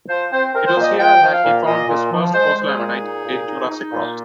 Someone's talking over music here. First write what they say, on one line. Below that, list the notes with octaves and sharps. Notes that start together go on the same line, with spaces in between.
It was here that he found his first fossil ammonite, in Jurassic rocks.
F3 C5
C4 C5
C4 A#4
C5
A#2
D#5
F3 G5
F3
F5
A#2
A#2 D#5
A#2
F3
G#3 C5
G#3
G#4
A#2
D#4
A#2
D#4
D#4
A#2